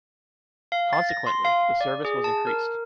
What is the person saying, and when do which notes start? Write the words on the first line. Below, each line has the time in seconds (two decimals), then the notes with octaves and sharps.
Consequently, the service was increased.
0.72 F5
0.93 A6
1.09 A#6
1.27 C6
1.45 F5
1.81 D5
2.05 G#4
2.24 A5
2.47 A#4